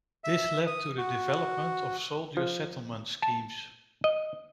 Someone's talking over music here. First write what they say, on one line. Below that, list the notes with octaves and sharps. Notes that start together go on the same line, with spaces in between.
This led to the development of soldier settlement schemes.
E5
D#6
F#4
F3
A5
D#5